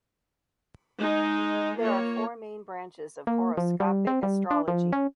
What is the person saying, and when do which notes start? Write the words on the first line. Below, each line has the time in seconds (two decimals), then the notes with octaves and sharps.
There are four main branches of horoscopic astrology.
0.99 G#3 D#4
1.80 A#3 F4 C#5
3.27 A#3
3.57 F3
3.80 G3
4.07 C4
4.23 G3
4.51 D4
4.68 F3
4.93 C#4